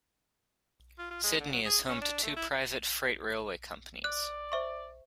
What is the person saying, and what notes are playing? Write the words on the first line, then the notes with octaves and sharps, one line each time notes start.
Sydney is home to two private freight railway companies.
F4
F4
G#3
D3
F#3
G#4
C#4
D4
A3
E4
D5 F#6
C5 E5 C#6